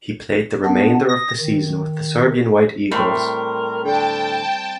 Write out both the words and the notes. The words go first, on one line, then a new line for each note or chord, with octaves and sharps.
He played the remainder of the season with the Serbian White Eagles.
B3 D4
D#6 A#6
D#3
A2 G3 C4 A#4 C6
D3 G5 A5